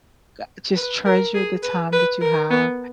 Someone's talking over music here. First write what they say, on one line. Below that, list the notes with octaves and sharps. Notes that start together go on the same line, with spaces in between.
...g just treasure the time that you have
B4
A#4
G#4
B4
B4
A#4
B3